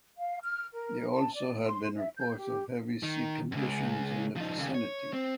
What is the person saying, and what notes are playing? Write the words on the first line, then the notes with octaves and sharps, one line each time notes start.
There also had been reports of heavy sea conditions in the vicinity.
F5
F6
A#4
A5
D5
C6
E5
G6
G4
D#3
C#2 F#2
F3 D#4
D#2 C#3
C#5
C4